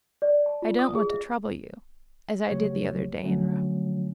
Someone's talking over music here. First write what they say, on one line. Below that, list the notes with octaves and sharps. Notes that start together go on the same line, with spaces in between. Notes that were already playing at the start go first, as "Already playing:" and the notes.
I don't want to trouble you--as I did the other day in Rome.
D5
A5
F4
D#6
G#4
E5
C#3 F#3 A3 G4 C#5
D3 F3 F#3 A3 C#4